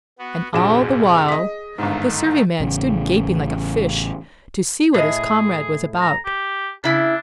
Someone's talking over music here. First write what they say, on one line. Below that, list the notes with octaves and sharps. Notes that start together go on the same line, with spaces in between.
And all the while the serving-man stood gaping like a fish to see what his comrade was about.
B3 F#4
A#1 F2 G#2 C3 F#4 G#4 E7
D#5 B6
G1 G#2 D#3 A3 D#4
A1 C#3
A2 G#4 D#5
A#5
G4
C#3 D4 E4